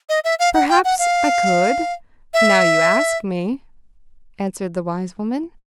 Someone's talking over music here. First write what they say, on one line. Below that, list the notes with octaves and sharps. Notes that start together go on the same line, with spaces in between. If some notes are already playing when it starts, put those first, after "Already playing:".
"Perhaps I could, now you ask me," answered the wise woman.
D#5
E5
F5
F#5
G5
F#5
F5
E5